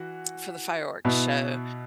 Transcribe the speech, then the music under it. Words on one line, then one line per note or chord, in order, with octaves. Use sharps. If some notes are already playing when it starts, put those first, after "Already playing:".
for the fireworks show,
Already playing: E3 F#4
B2 B3 E4